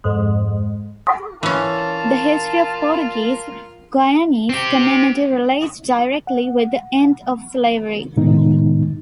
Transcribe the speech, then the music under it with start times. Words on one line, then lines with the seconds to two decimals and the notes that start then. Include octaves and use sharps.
The history of Portuguese Guyanese community relates directly with the end of slavery.
0.04 F2 G#2 G#3
1.43 E3 C#4 F4 A#4 A5
4.49 C4 G4
6.27 F#5
8.16 A2 C3 D#3 G#3 B3 D#4